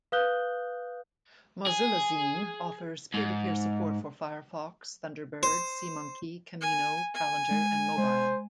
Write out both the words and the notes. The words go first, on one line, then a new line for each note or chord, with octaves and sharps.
MozillaZine offers peer-to-peer support for Firefox, Thunderbird, SeaMonkey, Camino, Calendar and Mobile.
B4 F5 D#6 F#6 G6 G7
G#4
G#2
C5
G#5
G#5
G#3
G#3 C5